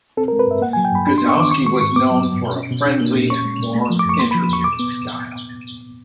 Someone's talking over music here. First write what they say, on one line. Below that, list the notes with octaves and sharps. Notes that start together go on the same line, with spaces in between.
Gzowski was known for a friendly and warm interviewing style.
C4 A4
A#4
G#3
B4
G2 E5
A#3 F#5
G#5
F#3
G5
G2 B5
D4 B5
C6
B3
C#6
D#3 D6
C4 C#6
G#3 C#6
G#2 C#6
B3 D6
F#3
G2
B2
C#4
B2
D4
A#3
A#2
C#4 C#6
G#3
A#2
A3
F3
D6
F#2 C#6
A#3 C6
B5
F3
E2 C#6
B2 D6
B3